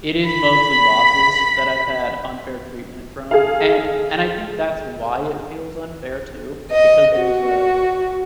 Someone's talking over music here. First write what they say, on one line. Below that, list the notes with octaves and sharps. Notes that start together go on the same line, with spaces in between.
it is mostly bosses that I've had unfair treatment from. And and I think that's why it feels unfair too. Because there's a
B5 B6
G#4 A4 F5
D#5
F#4